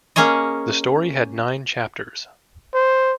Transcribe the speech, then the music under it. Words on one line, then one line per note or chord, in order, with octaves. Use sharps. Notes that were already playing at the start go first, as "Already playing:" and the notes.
The story had nine chapters.
A#3 C#4 G#4 C#5 D#5
C5